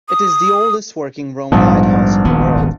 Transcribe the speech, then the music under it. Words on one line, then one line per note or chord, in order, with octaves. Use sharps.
It is the oldest working Roman lighthouse in the world.
D#6
A#1 G#2 G3 G#3 B3
D#1 G#1 B3